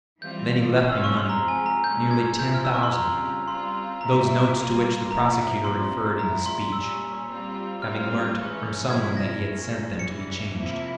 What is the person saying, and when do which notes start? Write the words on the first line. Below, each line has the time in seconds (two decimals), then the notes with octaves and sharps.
Then he left me money, nearly ten thousand--those notes to which the prosecutor referred in his speech, having learnt from some one that he had sent them to be changed.
0.22 E3 G3 C4 F4 G6
0.76 C3 G3 C#4 F4 F6
0.89 E6
1.04 C#6
1.17 C6
1.29 C3 F3 G#3 A#5
1.48 G#5
1.66 A#5
1.84 A#2 G#3 C#4 G6
2.11 G#6
2.38 F3 C4 E4 G6
2.54 F6
2.65 E6
2.73 C#6
2.83 C6
2.93 C#3 G3 C4 F4 A#5
3.47 G3 C4 F4 C6
4.01 A#2 G3 C4 E4 A#5
4.55 G3 A#3 F4
5.10 A#2 F3 A#3 E4 A#5
5.64 A#2 F3 C4 C6
6.18 A#2 F3 G#3 E4 A#5
6.46 C6
6.72 A#2 G3 C#4 E6
7.28 G3 C4 F4
7.82 G3 C4 F4 F6
8.36 E3 G#3 C#4
8.90 C3 F3 C4 E4 G#6
9.17 A#6
9.44 A#2 G#3 C#4
9.99 C#3 E3 G3 C#7
10.53 C3 F3 A#3 E4